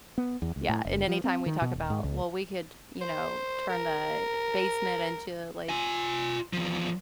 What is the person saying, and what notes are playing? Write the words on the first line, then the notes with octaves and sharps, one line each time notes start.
Yeah, and anytime we talk about, "Well, we could, you know, turn the basement into, like,
B3
E2
C#2
A2
F#1
F3
C4
D#3
B2
D#1
G#2
C#2
C5
A#4
F4 G#5
E2 F3